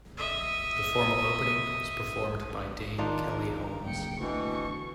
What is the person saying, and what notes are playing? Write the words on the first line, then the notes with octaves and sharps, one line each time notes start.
The formal opening was performed by Dame Kelly Holmes.
D#5 E5
D#3 D4 D#4 F4 A#4
F#1 G5 C#7
D2 B2 E3 C#6